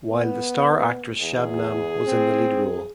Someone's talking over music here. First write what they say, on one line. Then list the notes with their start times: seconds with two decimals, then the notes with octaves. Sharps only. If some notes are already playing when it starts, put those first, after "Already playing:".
While the star actress Shabnam was in the lead role.
0.11 B3
1.21 E2 G#4
2.07 C4